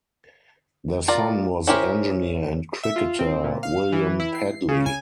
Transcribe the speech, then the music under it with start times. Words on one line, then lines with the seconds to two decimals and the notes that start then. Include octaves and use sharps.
Their son was engineer and cricketer William Pedley.
1.08 F4 A#4 D5 A#5
1.67 C#4 E4 G4 A#4 C5
2.83 E5
2.96 F4
3.19 C4
3.44 A#2
3.63 F5
3.92 E3
4.20 E4
4.35 C7
4.68 C#3
4.86 G#5